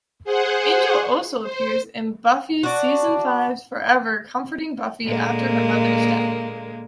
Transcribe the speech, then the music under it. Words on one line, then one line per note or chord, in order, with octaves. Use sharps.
Angel also appears in "Buffy" season five's "Forever", comforting Buffy after her mother's death.
G#4 C5 F#5
C5
D4 F#4
A#2 D3 G#3 A#3